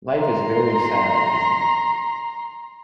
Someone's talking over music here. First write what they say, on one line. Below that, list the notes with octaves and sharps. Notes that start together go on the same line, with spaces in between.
Life is very sad, isn't it?
A#5 C6